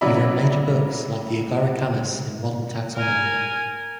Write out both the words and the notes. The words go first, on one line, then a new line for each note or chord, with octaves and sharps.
He wrote major books like "The Agaricales in Modern Taxonomy".
C#3 F#3 E4 D5 E5 B5
A#4 G#5